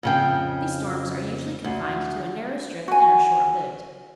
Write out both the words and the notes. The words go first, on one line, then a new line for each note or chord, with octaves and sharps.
These storms are usually confined to a narrow strip and are short-lived.
F2 C#3 G5
D2
F#4 G#5